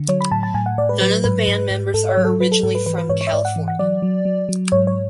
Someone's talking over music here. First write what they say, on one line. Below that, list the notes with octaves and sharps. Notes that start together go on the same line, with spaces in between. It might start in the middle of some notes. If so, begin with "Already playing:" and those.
None of the band members are originally from California.
Already playing: D3
F#3 C#5
B5
A2 A5
A5
A2 G#5
F#5
A2 D5
B4
F#3 B4
G#2 B4
G#2
G#2
G#2 A4
C#5
F#3
A4
F#3 B4
A4
G#2 A4
B4
E3 B4
B4
G#2 C#5
C#5
E5
G#2 D5
F#5
E3
F#5
F#3 D5
F#3
F#3
F#3
G#2 C#5
C#5